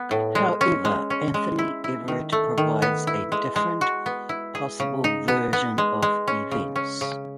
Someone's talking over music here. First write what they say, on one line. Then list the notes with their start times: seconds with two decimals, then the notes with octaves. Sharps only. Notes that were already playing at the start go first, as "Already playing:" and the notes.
However Anthony Everitt provides a different possible version of events.
Already playing: B3
0.11 A2
0.35 G#3
0.61 C#4
0.85 G#3
1.10 C#4
1.34 G#3
1.59 E4
1.84 E4
2.08 D#3
2.32 A3
2.58 D#3
2.82 B3
3.07 E4
3.32 G#3
3.56 G#3
3.81 F#4
4.06 B3
4.29 E4
4.55 G#4
4.80 C#3
5.04 D#4
5.28 B3
5.53 B3
5.78 G#3
6.02 G#3
6.28 C#4
6.51 C#3
6.76 C#4
7.01 C#3